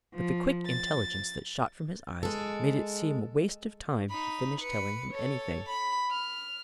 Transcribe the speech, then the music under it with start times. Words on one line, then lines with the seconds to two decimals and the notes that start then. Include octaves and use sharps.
But the quick intelligence that shot from his eyes made it seem waste of time to finish telling him anything.
0.15 F3
0.66 A6
2.23 G#3 A4
4.09 D#4 B5
4.61 B4 C#7
5.11 A4 C#5
5.68 B5
6.11 F6